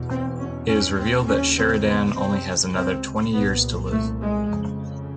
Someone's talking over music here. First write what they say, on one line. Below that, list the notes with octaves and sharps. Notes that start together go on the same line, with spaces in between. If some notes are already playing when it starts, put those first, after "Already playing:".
It is revealed that Sheridan only has another twenty years to live.
Already playing: E2 B2
C4
C#4
C#4
D#2 C#3 C4
C#4
C4
B3
C#2 C3 C4
C4
C2 A#2 B3
A3
G#3
F2 C#3